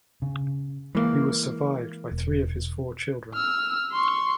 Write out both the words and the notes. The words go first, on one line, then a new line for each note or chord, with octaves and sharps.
He was survived by three of his four children.
C#3
E3 G#3 A#3
E1
E6 F6
C6 C#6